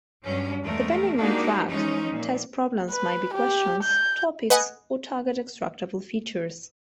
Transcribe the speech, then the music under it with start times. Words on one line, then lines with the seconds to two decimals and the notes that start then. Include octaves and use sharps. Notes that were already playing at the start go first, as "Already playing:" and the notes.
Depending on track, test problems might be questions, topics, or target extractable features.
0.24 G2 F#3 G3 C#4
0.63 E2 G#3 A3 A#4
1.16 G#3 A#3 D4 D#4 F#4 G4
1.68 E3 F3 G#3 C#4 D#4
2.11 A#2
2.90 B4
3.34 G4
3.83 G6
4.50 B4 D#5 F#5 G#5